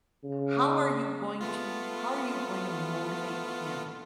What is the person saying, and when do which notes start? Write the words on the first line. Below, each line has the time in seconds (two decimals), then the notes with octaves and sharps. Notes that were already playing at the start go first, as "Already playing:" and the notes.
How are you going to how are you going to motivate him
0.24 C#3
1.41 A3 B3 F4